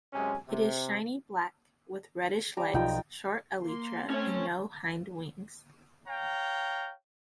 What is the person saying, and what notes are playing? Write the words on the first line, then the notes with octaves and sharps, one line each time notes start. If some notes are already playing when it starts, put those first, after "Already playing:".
It is shiny black with reddish legs, short elytra and no hind wings.
F#2 C3 G#3 C#4 G#5
C3
G3 A#5 D6
B1 F3 D#4 F4 G5
A#3 C6
A3 C4 C#4 C#5
C#5 F5 G5 A#5